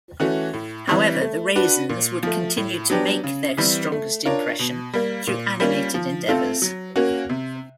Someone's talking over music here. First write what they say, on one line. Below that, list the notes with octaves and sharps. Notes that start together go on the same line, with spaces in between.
However, the Raisins would continue to make their strongest impression through animated endeavors.
E3 A3 C#4 F#4
A2
E3 G3 C4
A3
D4 F#4 B4
A#2
F3 A3
A2
F#3 B3 D4 G4
C#3
E3 G3 C4
A3
D4 F4 A#4 C#5
B2
G3 A#3
A#2
G3 A#3 C#4 F4
F3
A3 C4 F4 A4
F#3
A#3 C#4 F#4
C3